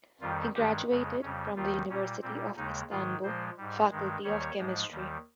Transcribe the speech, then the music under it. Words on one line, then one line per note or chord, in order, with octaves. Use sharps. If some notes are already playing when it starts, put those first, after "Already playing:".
He graduated from the University of Istanbul, Faculty of Chemistry.
F2 D#3 G3 F4
G2 D#3 G#3 G4
F2 C#3 G#3
F2 C#3 G3 C#4
D#2 D#3 G3 F4
A#2 G3 C#4
A#2 G3 C4
D#2 C#3 G#3 D#4
G#2 D#3 G#3 F4
A#2 F3 G#3 C5
G#2 G3
G2 D#3 G#3
D#2 D#3 G3 C#5
G#2 F3 G#3
D#2 D#3 G3